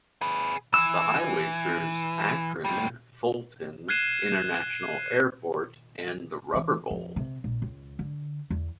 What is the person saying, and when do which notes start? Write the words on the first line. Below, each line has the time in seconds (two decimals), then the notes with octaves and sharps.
The highway serves Akron Fulton International Airport and the Rubber Bowl.
0.22 G#4 B4
0.74 E3 E6
2.65 D2 G3
3.89 F6 F#6 G#6 C7 D#7 E7
6.54 E3
6.90 F2
7.16 C3
7.44 A#1
7.62 C#2
7.99 D3
8.50 E2